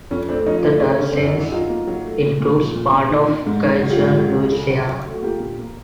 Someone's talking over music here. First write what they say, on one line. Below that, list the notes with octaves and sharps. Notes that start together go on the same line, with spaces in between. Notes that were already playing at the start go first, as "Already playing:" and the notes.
The diocese includes part of Cajun Louisiana.
F2 C#4
A3 C4 D4
F3 C#4 D#4
F4
A3 D4 E4
C#3 C4
D3 C#4
C4 D4
F#2
C#4 D#4
F#3 D4 E4
F#3 D#4 F4
A#3
F#3
A3
A#2
A#2
F3
A#2
A#2
D#3
D#3
G#2
D#3
F#3
F4 G4
G#2
F#3
C#2
C#3
F#3
F#3
A3
F#4
A#3 F4 G4
A#2
A#3